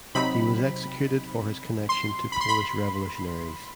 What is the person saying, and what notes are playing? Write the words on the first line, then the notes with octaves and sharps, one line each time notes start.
He was executed for his connection to Polish revolutionaries.
C3 F#3 C4 D#4 B5
C6
B5
C6
B5